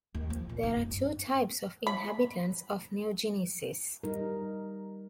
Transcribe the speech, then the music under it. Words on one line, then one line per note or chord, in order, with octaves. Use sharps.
There are two types of inhabitants of New Genesis.
D#2
F3
A#2
D#4
F#2
G2
B5
G3 D#4 A#4